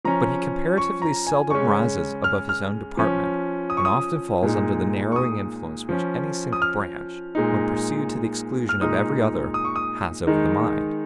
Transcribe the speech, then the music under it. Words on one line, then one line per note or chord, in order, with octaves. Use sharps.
But he comparatively seldom rises above his own department, and often falls under the narrowing influence which any single branch, when pursued to the exclusion of every other, has over the mind.
F3 C#4 A#5
C#6
A#5
G#5
C#3 G#3 C#4 C#6
F6
F6
F3 C#4
D#6
C#6
D#6
A#2 G#3 D#4
C#6
D#6
F3 C#4
D#6
F6
A#2 G#3 D#4
F6
A#2 G#3 D#4 D#6
D#6
C#6
D#6
D#3 G#3 D#4